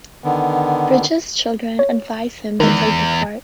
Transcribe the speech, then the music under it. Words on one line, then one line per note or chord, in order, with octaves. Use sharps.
Bridges' children advised him to take the part.
D3 D#3 B3
C#5
E2 D#3 G#3